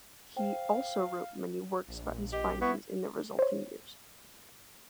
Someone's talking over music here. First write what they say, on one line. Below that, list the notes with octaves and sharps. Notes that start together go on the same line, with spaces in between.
He also wrote many works about his findings in the resulting years.
C5 F5 G5
A#1
G4 D#5
B3 E4 C#6
C5 C#5